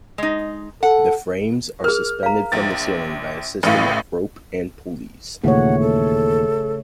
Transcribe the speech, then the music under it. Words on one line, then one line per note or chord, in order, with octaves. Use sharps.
The frames are suspended from the ceiling by a system of rope and pulleys.
G#3 D#4
A4 F#5
G#4 A#4 F6
F5 A#5
A#1 A6
A1 A2 B4 F5
D#2 A#2 C#3 E3 A3 C#5 F#5
A4